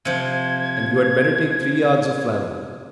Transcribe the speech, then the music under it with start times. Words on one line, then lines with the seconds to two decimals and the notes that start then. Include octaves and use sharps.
And you had better take three yards of flannel.
0.05 C3 F3 G#6